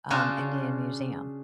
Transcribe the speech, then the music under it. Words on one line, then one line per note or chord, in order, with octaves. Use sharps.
um, Indian Museum.
C#3 C#4 D4 F4 F#4 C#5